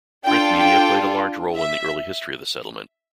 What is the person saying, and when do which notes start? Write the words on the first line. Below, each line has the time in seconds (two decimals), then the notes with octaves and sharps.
Print media played a large role in the early history of the settlement.
0.25 D4 F4 A4 G5
0.58 G5
1.55 E5